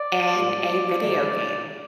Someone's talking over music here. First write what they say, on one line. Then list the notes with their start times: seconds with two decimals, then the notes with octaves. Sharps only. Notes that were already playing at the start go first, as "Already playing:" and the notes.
in a video game.
Already playing: D5
0.31 G#2 G3 A#3
1.00 G#2 D#3 A#3 D5